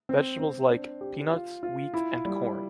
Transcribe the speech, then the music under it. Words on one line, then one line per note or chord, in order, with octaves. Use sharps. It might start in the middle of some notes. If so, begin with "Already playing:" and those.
Vegetables like: peanuts, wheat and corn.
C4
C4
D4
G4
F4
F4
E4
G3